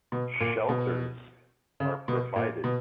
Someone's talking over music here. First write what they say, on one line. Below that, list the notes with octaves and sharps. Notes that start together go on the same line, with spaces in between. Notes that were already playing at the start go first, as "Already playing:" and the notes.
Shelters are provided.
B2
A#2
B2
C#3
B2
A#2
B2